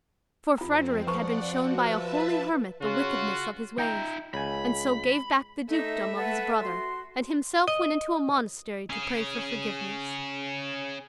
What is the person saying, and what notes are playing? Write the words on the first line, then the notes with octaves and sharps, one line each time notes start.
For Frederick had been shown by a holy hermit the wickedness of his ways, and so gave back the dukedom of his brother, and himself went into a monastery to pray for forgiveness.
F2 C4 F4 A#5
F3 B4 D5 F#5 A#5 C#6
F#4
B4 C5 E5 A5
C#3 F4 F#4
D#4 E5 G5 A#5
C#2 G#5 B5
A3 D#4 E5
B4 F#5 A5
F#4 C6
D#5
C#4 G#4